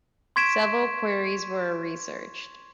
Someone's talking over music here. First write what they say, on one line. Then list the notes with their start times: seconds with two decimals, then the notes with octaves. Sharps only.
Several quarries were researched.
0.36 C6 C#6 G#6 B6 D7 E7